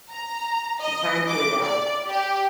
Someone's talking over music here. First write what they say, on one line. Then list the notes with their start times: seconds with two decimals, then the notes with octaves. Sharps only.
She turned to Adele.
0.11 A#5
0.81 D#5
1.29 D6
1.63 D5
2.08 G4